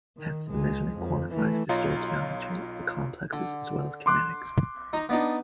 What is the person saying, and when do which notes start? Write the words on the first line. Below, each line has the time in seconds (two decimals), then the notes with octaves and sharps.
Hence the measurement quantifies the stoichiometry of the complexes as well as kinetics.
0.17 D#3
0.48 C#2 G#3
0.97 F2
1.34 E3 A3
1.69 B1 F4 C#5 D#5 A#5 C6
3.33 D3
4.06 C6 D6 F#6
4.93 D#4 A#5
5.09 B3 D4 D#4